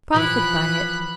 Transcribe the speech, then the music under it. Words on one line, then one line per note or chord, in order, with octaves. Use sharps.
Profit by it.
E3 F3 B5 F#6